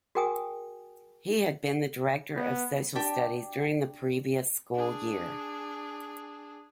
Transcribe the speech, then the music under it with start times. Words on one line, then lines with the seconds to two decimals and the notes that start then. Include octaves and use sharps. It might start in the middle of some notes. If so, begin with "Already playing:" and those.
He had been the Director of Social Studies during the previous school-year.
0.15 F#4 G#4 A#4 G5 G#5 D#6
2.36 B3
2.95 D4 G4 G5
4.74 D4 G#4